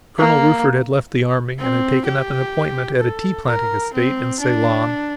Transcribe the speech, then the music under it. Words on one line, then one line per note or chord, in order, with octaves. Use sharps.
Colonel Rufford had left the army and had taken up an appointment at a tea-planting estate in Ceylon.
A#3
C4
G4
A4
A#4
C4
D4